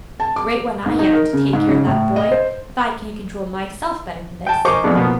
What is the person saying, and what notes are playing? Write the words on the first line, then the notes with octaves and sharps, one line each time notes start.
"Great one, I am, to take care of that boy, if I can't control myself better than this!"
A5
D6
G#2
D#4
A#4
C#3
G#2
C#3
A2
D#5
C5
G5 A5
A#4 C5 D#5 G#5 C#6 D6
F2 F3 G#3 A3 B3 D4
B2 F3 A#3 B3